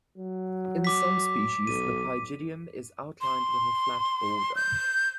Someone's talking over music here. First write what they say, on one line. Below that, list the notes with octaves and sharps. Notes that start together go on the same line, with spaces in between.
In some species the pygidium is outlined with a flat border.
F#3
D6 B6
B1 D#7
C6
G6